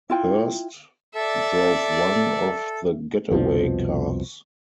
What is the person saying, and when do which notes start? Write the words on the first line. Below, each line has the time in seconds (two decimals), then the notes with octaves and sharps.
Hearst drove one of the getaway cars.
0.10 E4 F4 G5
1.15 A4 D5 E5
3.31 C2 F2 B2 F3